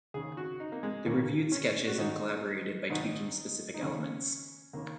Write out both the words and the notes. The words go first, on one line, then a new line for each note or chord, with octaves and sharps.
They reviewed sketches and collaborated by tweaking specific elements.
D#2 C#3 G#4
F#4
D#4
A#3
G#3
D#2 C#3 A#3
C#4
F#4
G#1 G#2 D#3 D#4
G#1 G#2 D#3 D#4
D#4
D#2 C#3 C#4
D#2 C#3 A#3